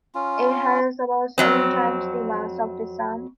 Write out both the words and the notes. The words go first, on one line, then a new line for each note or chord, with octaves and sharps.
It has about seven times the mass of the Sun.
C#4 F4
F2 F#3 C4